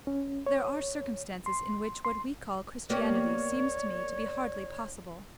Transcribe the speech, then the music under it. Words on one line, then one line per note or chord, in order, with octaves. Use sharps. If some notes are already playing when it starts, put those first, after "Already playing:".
"There are circumstances in which what we call Christianity seems to me to be hardly possible."
C#4
C#5
C6
C6
A#3 B3 G4 C#5 D5